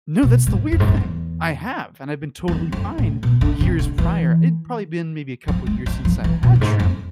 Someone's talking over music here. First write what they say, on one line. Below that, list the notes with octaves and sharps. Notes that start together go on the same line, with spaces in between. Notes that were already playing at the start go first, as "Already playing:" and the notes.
No, that's the weird thing, I have, and I've been totally fine years prior. It'd probably been maybe a couple years since I'd had shrimp,
B2
G#2
F2
G#2
F2
E2
E2
F2
A2
B2
D3
C3
D3
E3
F3
G#3
F3
F3
E3
B2
F2
G#2
F2